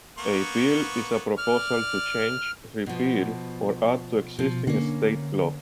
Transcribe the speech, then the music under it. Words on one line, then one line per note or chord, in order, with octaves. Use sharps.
A bill is a proposal to change, repeal, or add to existing state law.
A#3 B3 C#6
D5 F6
B2 F3
B2 F3
D3 A#3 C#4